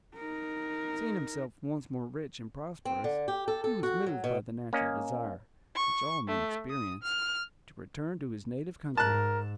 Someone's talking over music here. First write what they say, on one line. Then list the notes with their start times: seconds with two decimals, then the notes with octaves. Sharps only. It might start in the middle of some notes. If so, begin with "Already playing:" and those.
Seeing himself once more rich and prosperous, he was moved by the natural desire, which all men experience, to return to his native country.
0.16 D#4 A#4
2.85 C4
3.04 D3
3.28 G4
3.48 A4
3.64 A4
3.83 F#4
4.06 F#3
4.24 B2
4.73 A#3 C#4 D#5
5.76 C#6
6.28 A3
6.70 D#6
7.03 F6
8.97 G#2 A#4 A5 F#6